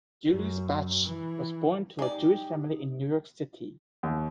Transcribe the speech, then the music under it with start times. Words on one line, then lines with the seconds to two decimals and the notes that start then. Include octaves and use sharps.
Julius Bache was born to a Jewish family in New York City.
0.28 F#2
1.05 E3
1.99 G#3 D#4 G4 D5
4.03 D#2